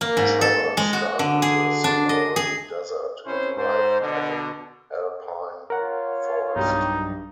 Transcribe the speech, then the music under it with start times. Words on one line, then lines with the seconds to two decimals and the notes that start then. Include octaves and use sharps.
Travelers start in the Sonoran Desert and arrive at an alpine forest.
0.01 A#3
0.17 G#2
0.41 A4
0.77 G#3
0.93 F#4
1.19 D3
1.42 G#4
1.84 D4
2.09 D#5
2.36 G#4
3.25 C3 C#4 E4 C5
3.56 G#2 C5
4.00 B2 D3
5.70 F4 A#4 C#5 F#5
6.55 B1 G2 G3 D#4